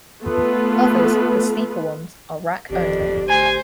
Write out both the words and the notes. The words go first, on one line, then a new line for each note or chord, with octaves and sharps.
Others, the steeper ones, are rack-only.
A3 B3 F4 A4 B4
G1 F2 D4 G4
D2 C5 G#5